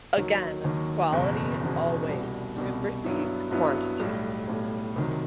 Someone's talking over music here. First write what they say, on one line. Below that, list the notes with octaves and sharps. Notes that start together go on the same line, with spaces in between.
Again, quality always supersedes quantity.
D#2 D#3 F#3
D#2 D#3 F#3
F#1 E2 B2
F#1 E2 B2
C2 B2 G3
C2 B2 G3
G2 F#3 B3 E4
G2 F#3 B3 E4
B1 A2 G3
B1 A2 G3
C2 C3 D#3 F#3